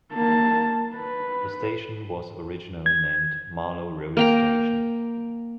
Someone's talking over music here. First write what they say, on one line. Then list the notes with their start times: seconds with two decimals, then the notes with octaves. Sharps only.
The station was originally named Marlow Road station.
0.13 A#3 A5
0.96 B4
2.86 G#6
4.17 A#3 G5 A#5